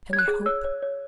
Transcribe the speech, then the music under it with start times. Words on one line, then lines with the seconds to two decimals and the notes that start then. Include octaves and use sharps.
Can I hope?
0.10 C#5 G#6
0.19 F#6
0.28 G#4
0.46 C#5 E6
0.65 C#5
0.82 C#5